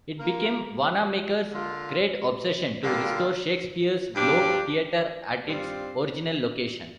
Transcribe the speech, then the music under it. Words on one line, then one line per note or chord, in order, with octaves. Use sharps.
It became Wanamaker's "great obsession" to restore Shakespeare's Globe Theatre at its original location.
A#3 F4 A#4
D3 A#3 F4
D3 G3 A#3 F4
G2 F3 D4 G4
G2 G3 C4 F4 D5